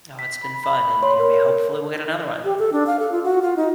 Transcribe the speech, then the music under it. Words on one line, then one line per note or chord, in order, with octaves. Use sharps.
Oh, it's been fun, and, you know, may hopefully, we'll get another one.
B6
B5
B5
C#5 C6
A#4
G4
A4
D4
F5
A4
F4
F#4
F4
D#4